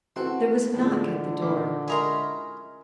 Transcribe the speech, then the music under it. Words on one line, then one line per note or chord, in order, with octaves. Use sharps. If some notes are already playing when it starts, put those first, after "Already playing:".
There was a knock at the door.
E3 C4 F#4 A4 C6
A2 D3 F3 G#3
A#2 D6
G#3 C#4 E4 G#4 A#4 C6